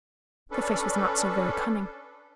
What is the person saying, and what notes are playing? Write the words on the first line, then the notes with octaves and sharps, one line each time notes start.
The face was not so very cunning.
C#4 D4 A4 B4